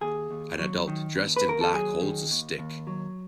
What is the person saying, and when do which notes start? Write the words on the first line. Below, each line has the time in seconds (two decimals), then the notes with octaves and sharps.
An adult dressed in black holds a stick.
0.01 D#2 G#4
0.31 D#2
0.59 F#3
0.88 D#3
1.16 D#2
1.36 B4
1.45 D#2 A#4
1.61 A4
1.73 F#3 G#4
2.02 D#3
2.31 D#2
2.58 D#2
2.87 F#3